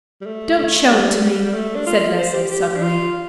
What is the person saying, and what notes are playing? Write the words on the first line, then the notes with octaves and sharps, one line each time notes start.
"Don't show it to me," said Leslie suddenly.
G3
A3
A3
G3
G3
G3
A3
D4
F4
C5
G4
G4
D4
F4